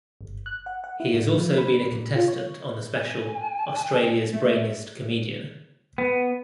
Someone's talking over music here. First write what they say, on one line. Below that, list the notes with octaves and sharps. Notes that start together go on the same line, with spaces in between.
He has also been a contestant on the special "Australia's Brainiest Comedian".
G1
F#6
F#5
F#5
E4
A2
F3
B5
A#2
F4
C#5
G#5
A3 E5
B3